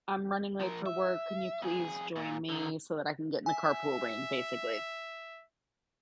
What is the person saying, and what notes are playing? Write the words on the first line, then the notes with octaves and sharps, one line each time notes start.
I'm running late for work, can you please join me, so that I can get in the carpool lane," basically.
F3 A#4
E5
F2 G#4
A#2
D3 D#3
E5 G#5